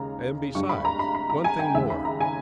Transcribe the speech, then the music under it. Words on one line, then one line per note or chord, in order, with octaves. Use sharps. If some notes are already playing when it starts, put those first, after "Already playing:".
And besides--one thing more!
Already playing: D#2 C#3 G#3 A#5
G2 G3 C#6
B5
A#5
B5
B5
A#5
G#5
G5
D#2 C#3 G#3 E5
B5
A#5
G#5